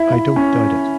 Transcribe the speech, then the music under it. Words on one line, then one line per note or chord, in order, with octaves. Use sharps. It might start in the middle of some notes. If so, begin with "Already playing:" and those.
I don’t doubt it.
Already playing: E4
E4
C#4